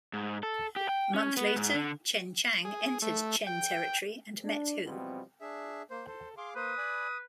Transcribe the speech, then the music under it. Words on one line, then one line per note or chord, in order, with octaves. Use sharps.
A month later, Chen Chang entered Chen territory and met Hou.
G#2
A4
G4
G5
C#4
B3
G#2
D3
G#4
A3
G5
D4
B2 E3 F3 G3 C4
D4 G#4 E5
A#3 C5
A4 C5
G#4 F5 C6 D6
A#3 B4 C5 D#6
D5 G#5 B5